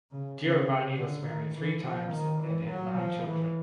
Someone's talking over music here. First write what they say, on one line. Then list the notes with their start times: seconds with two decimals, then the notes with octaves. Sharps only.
Giovanni was married three times and had nine children.
0.11 C#3
0.41 C#3
0.97 D3
1.26 D#3
1.54 E3
1.84 F3
2.12 D#3
2.41 E3
2.69 F#3
2.98 F3
3.26 E3